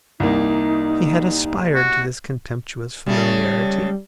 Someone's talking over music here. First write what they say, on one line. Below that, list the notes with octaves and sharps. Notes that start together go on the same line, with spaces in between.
He had aspired to this contemptuous familiarity.
C2 A#3 D#4
F#4
C#3 G3 A3